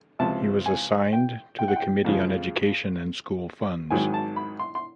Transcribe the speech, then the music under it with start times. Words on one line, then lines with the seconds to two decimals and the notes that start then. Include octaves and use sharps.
He was assigned to the committee on education and school funds.
0.19 C#2 C3 F3 A5
0.66 G#5
1.13 G5
1.59 G5
1.68 F#5
1.76 G5
2.05 F2 C#3 F3 G#3
3.90 G#1 G#2 D#3 F#3 G#5
4.14 A5
4.36 B5
4.59 C6
4.75 C6